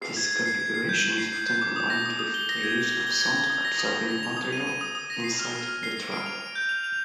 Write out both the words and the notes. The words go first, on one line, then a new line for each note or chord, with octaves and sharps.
This configuration is often combined with the use of sound-absorbing material inside the trap.
C7
G#6
G#6
C7
G#6
C7
G6
G6
C7
C7
G6
D6
D#6
A#6
D#6
D#6
G7
A#6
G#6
G7
G#6
G7
G#6
G#6
D#6
A#6
D#6
D#6
A#6
F7
D#6
D#7
D#7
D#6
D#6
A#6
C7
F6
F6
F6
C7
C7
D7
F7
D7
G6
F7
F7